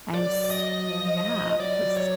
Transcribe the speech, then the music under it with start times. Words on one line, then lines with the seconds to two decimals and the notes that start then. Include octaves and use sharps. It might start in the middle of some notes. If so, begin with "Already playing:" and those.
And, s yeah. It was
0.14 F#3 D5
0.45 D5
0.51 D#5
0.88 F3
1.60 F#3 D5
1.97 C#5